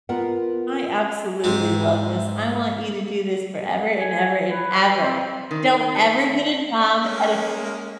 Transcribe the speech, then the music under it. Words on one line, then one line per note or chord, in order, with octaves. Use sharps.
I absolutely love this; I want you to do this forever and ever and ever. Don't ever get a job at a
B3 F4 A#4 F#5
G#2 G#3 C4
G#5
B4
C4
D#3
G#3 A#3 C#4